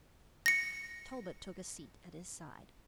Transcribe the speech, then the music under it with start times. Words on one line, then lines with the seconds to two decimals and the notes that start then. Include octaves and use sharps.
Talbot took a seat at his side.
0.46 A#6 C#7